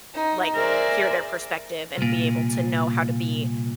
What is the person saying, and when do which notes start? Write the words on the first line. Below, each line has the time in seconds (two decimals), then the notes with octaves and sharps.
like, hear their perspective and be able to know how to be
0.13 D#4
0.55 G#4 A#4 C5 D5 E5
1.98 C2 A#2